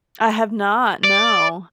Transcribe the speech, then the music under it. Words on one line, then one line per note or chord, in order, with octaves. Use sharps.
I have not, no.
D5